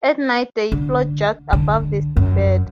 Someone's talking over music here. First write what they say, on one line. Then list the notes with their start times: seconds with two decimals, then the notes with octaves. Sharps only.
At night they float just above the seabed.
0.72 D3
1.53 D3
2.17 F#2